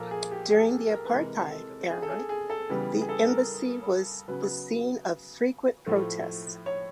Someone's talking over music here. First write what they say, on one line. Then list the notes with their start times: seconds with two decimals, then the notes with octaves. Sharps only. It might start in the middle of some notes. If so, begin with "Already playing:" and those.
During the apartheid era the Embassy was the scene of frequent protests.
Already playing: A#2 F3 A#3 A4 A#4
0.11 G#4
0.31 G4
0.51 G#4
0.65 G#4
0.71 A4
0.91 A#4
1.05 B4
1.10 C3 E3 G#3 A#4
1.51 A4
1.90 G#4
2.02 A4
2.10 G#4
2.29 G#4
2.50 A4
2.69 C#3 E3 G3 B3
3.02 G#4
3.09 A4
3.28 A#4
4.28 C#3 F#3 B3 B4
5.86 A2 F3 A3
6.66 C#5